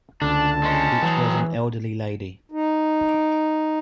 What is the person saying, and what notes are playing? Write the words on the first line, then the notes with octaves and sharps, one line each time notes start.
It was an elderly lady.
C#2 D3 D4 A5
G#3 C#4
E3 F#3 G#4
D#4